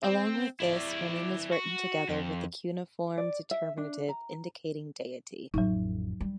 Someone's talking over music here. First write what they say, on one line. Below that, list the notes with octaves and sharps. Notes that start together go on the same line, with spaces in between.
Along with this her name was written together with the cuneiform determinative indicating deity.
C4
E4 D5
F#4
F2
D5
E5
D4
A#5
A1 F2 F#3 D#4
G3